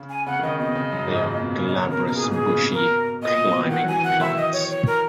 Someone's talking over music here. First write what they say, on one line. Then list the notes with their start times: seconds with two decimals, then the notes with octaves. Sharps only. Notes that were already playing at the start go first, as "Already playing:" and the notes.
They are glabrous bushy climbing plants.
Already playing: C#3
0.10 G#5
0.27 C#3 F#5
0.39 D#3
0.43 C#3 D#5
0.59 B2 D#5
0.75 C#3
0.92 F#2
1.08 G#2
1.25 A#2
1.42 B2
1.58 C#3
1.68 D#5
1.74 C#3 C#5
1.86 B2
1.90 A#4
1.98 B2
2.07 A#4
2.11 A#2 G#4
2.24 G#2
2.32 A#2 G#4
2.49 C#3
2.60 B2
2.72 A#4
3.22 A#2 D#5
3.35 A#2
3.47 B2
3.59 D#3
3.71 E3 F#5
3.84 F#3 G#5
3.96 E3
4.04 D#3 F#5
4.20 E5
4.37 D#5
4.53 C#5
4.70 C#5
4.87 A#4